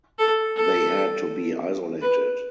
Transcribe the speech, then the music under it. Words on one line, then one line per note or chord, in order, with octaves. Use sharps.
They had to be isolated.
A4
A4
B4